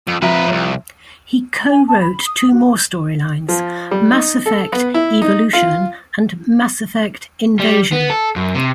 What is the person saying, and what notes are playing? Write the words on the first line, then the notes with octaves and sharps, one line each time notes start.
He cowrote two more storylines, "Mass Effect: Evolution" and "Mass Effect: Invasion".
F2
F2 F3 B4 E5 A#5
C2 F#2
G#5
A5
B5
D#6
F#4
F3
G3
D#4
A4
B3
E4
D#4
F4
G3
B3
A4
F#2
C3